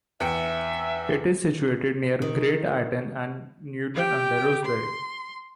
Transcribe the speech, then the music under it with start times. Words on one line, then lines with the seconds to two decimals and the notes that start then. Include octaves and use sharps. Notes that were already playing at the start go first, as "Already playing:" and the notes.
It is situated near Great Ayton and Newton under Roseberry.
0.20 E2 E5 G5 C#7
2.22 D#3
3.95 G4 G5
4.65 C6